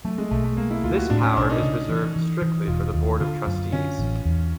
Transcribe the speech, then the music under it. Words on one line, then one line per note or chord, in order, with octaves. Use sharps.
This power is reserved strictly for the Board of Trustees.
F#3 A3
G#3
B1 A3
A3
G#3 A#3
E4
D2 F4
F#4
A2 D4
C#4
B1 D4
D#4
C#3
E3
E3
E3
E1 F4
D#2
D3 F4
F#2
D3 C#4
A1
E2